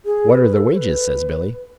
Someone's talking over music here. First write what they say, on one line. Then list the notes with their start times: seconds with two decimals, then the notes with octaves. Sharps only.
"What are the wages?" says Billy.
0.05 G#4
0.30 B4
0.54 A4
0.72 C#5
0.77 B4